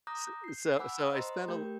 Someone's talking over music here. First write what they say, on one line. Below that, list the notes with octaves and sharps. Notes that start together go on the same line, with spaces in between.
s so so I spent a li
A#5 D6 D#6 F#6 G6 A#6
G6 C7
F#5 G#5 B5 D6 E6 F#6
C5 D#5 A#5 C6
A3 G4 A#4 G5 G6